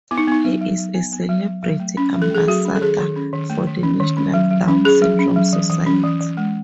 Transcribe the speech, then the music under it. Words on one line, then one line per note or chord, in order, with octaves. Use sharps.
He is a celebrity Ambassador for the National Down Syndrome Society.
B3 E4
D#4
B3 D#4
F#3
F#3
F#3
B3
B3
F#3
F#3
F#3
A3
C#4
F#3
A4
A3 G#4
F#3 F#4
C#4
A4
D#3 G#4
D#3
C#4
D#3
A3
D#3
C#4
D#3
C#4
F#3
F#3
C#4
C#4 G#4
F#3
C#4
F#3
E3
E3
C#4
E3
E3
G#3